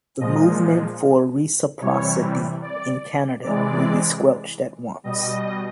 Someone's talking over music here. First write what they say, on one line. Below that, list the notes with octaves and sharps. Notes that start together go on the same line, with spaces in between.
The movement for reciprocity in Canada will be squelched at once.
A#2 F3 G#3 D#5
C3 E3 G3 C#5
D5
C3 E3 G#3 D5
B2 G3 D#5